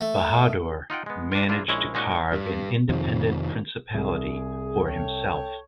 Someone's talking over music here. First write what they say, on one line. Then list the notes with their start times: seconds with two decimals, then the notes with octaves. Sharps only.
Bahadur managed to carve an independent principality for himself.
0.01 A3
0.90 D#4 F4 F#5 G5
1.06 G#3 B3
1.32 D4 F4
1.49 D4 E4 F4
1.68 A#1 G#3 C#4 E4 C#5 E5
1.94 A#2 G#3 C#4 D#4 F#4
2.32 G2
2.89 F2 C3 D#3 F3
3.94 C2 G#4
4.85 A4 C#5 G5